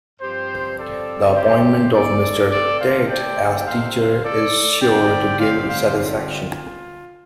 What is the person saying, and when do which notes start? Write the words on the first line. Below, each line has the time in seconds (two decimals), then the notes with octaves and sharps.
The appointment of Mr. Tait as teacher is sure to give satisfaction.
0.20 G2 F3 C4 G4 C5
0.77 A4 D5
1.35 G4 C5
1.93 A4 D5
2.51 C3 A3 C4 A4 D5
2.79 C5 F5
3.08 D5 G5
3.66 C5 F5
4.24 A4 D5
4.82 D3 G3 C4 D5 G5
5.40 C5 F5
5.68 C5 F5
5.98 F4